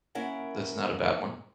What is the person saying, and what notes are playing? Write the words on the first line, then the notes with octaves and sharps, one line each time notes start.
That's not a bad one.
A#3 C#4 E4 A#4 F#5